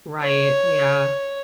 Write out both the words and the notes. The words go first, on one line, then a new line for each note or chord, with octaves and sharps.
Right, yeah.
C#5